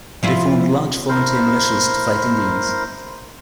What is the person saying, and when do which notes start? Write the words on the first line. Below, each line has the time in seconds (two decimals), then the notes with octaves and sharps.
They formed large volunteer militias to fight Indians.
0.23 F3 E4 F4
1.09 E4 A#4 C5